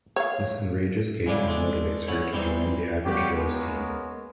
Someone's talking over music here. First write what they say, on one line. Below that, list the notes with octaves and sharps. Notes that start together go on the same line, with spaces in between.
This enrages Kate and motivates her to join the Average Joe's team.
C#5 F5
G#2 C#3 G3 D4 E4
G#3 A3 D4
C#4 E4 C#5 F#5 D#6
E3 G3 C4 D#4 C5
C#3 G3 F#4 G4
G#3 A#3 B3 C#4 A#4